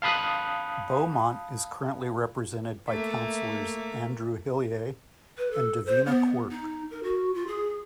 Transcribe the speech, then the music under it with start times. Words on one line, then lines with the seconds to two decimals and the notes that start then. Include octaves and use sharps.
Beaumont is currently represented by councilors Andrew Hillier and Davina Quirke.
0.02 F5 A5 B5 D#6 F#6
2.88 A3 A#3 E5
5.38 B4
5.51 A4
5.86 C5
6.06 B3
6.51 D#4
6.91 A#4
7.03 F#4
7.34 F4
7.47 G#4